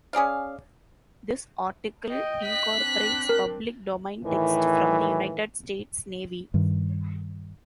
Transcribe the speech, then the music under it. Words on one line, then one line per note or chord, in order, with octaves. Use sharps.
This article incorporates public domain text from the United States Navy.
C#4 G#4 D5 F5
D#5 G5
F#6 B6
C4 D4
A#4
A2 D#3 E3
G2 D#3